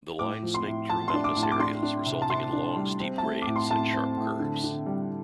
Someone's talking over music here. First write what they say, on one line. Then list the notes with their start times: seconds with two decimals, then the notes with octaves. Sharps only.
The line snaked through mountainous areas, resulting in long steep grades and sharp curves.
0.19 A2 D6
0.43 F3
0.54 C6
0.67 A2
0.89 F3 A5
1.08 C6
1.14 D4
1.24 D6
1.37 A2
1.43 A5
1.52 D6
1.60 D4 C6
1.83 D4
2.06 C3
2.22 A5
2.29 C3 C6
2.53 D4
2.76 G3
3.00 C4
3.18 A3 A5
3.42 D6
3.47 A2
3.56 C6
3.71 A2 A5
3.93 C4
4.17 A2
4.40 D3
4.64 D3
4.86 G3